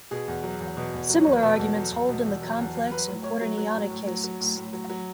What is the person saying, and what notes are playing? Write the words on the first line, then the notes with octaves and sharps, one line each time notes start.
Similar arguments hold in the complex and quaternionic cases.
B2 G#4
E2
F#3
E2
B2
E2
F#3
E2 C#5
B4
B2 A4
E2
F#3
E2
B2
E2
F#3
E2
F#3
F#3 B4
A2
A2 C#5
F#3
F#3
A2
A2
F#3
F#3
A2
A2
F#3
F#3